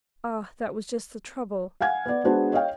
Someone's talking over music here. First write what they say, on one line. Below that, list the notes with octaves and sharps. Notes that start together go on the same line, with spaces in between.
Ah, that was just the trouble.
F5 F#5 G#5 G#6
B3 D5
G#3 B3 D4 F#4 G#4 C5
C#5 D#5 F5 G5